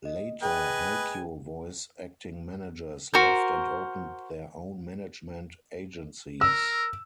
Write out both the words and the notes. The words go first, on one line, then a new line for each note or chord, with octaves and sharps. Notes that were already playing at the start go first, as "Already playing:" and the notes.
Later, Haikyo voice acting managers left and opened their own management agencies.
D#5
G#4 B4 D#5 G5 G#5
F#4 A#4 C5
A#4 E6